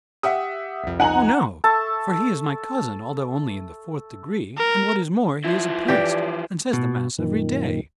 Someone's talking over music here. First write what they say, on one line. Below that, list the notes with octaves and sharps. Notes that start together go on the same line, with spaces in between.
"Oh, no! for he is my cousin, although only in the fourth degree, and, what is more, he is a priest and says the mass every day."
G4 E5 F#5 D#6
C2 F2
D#4 F#5 G#5 A#5 F#7
A4 E5 A5 C#6
A#4
F3 E4
E3 G4 D5
B2
F#2 A#2 D#3